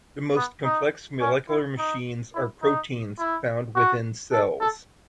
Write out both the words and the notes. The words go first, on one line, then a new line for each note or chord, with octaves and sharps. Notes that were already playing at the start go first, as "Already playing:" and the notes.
The most complex molecular machines are proteins found within cells.
B3
D#4
C#4
E4
D#4
E4
D#4
E4
F#4
A4
A4